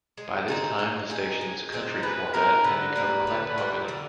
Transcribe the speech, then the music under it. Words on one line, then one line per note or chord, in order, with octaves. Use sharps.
By this time the station's country format had become quite popular.
G#3
C4 D#4 G#4
G#3
C4 D#4 G#4
G#3
C4 D#4 G#4
G#3 B4
C4 D#4 G#4 A#4
D3 B4
G3 A#3
D3
G3 A#3
D3